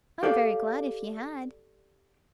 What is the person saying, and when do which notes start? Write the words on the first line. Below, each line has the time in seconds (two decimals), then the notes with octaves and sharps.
I am very glad if you had.'
0.23 G4 A4 D5 F5